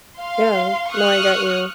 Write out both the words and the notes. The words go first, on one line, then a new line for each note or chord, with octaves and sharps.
Yeah, no, I got you.
F5 C6
C#6 D#6 F6 F#6